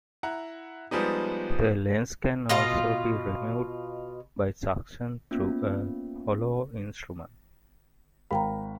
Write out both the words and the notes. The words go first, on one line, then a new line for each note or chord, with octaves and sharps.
The lens can also be removed by suction through a hollow instrument.
E4 F#5 A#5
F3 G3 G#3 B3 D#4
B2 F4 D#5
A#3 B3 C#4 F4
G#1 A#4 F5 G5 A#5 B5